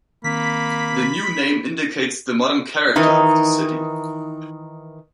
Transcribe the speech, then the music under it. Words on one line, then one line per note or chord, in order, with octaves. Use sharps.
The new name indicates the modern character of this city.
D#3 A#3 C4 B5 B6
D#3 E3 D#4